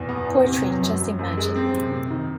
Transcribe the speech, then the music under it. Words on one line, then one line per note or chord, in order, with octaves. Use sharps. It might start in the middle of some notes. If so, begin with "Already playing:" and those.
Poetry, just imagine!
Already playing: E2 B2
B3
E2
C3
F#3
F#2
F#2
F#2
G#3
C4
C3
C3
D#3